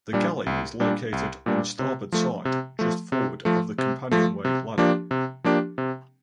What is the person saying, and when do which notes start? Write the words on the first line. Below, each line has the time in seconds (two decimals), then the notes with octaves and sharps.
The galley is located on the starboard side just forward of the companionway ladder.
0.13 A#2 G3 D4
0.46 C2
0.80 A#2 G3 D4
1.12 C2
1.46 A#2 G3 D4
1.79 C3
2.12 F3 A3
2.45 C3
2.79 F3 A3
3.12 C3
3.45 F3 A3
3.78 C3
4.11 F3 A3
4.45 C3
4.78 F3 A#3 D4 G4
5.11 C3
5.44 F3 A#3 D4 G4
5.78 C3